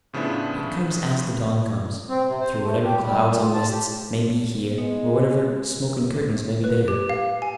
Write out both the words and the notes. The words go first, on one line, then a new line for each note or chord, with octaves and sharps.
It comes as the dawn comes, through whatever clouds and mists may be here or whatever smoke and curtains may be there.
A2 C#3 F3 B3 D4 E4
C4
C3
C5
A3
G4
G3
A#2
F4
A5
G4
G#3 B3
B4
G4
F5
G#5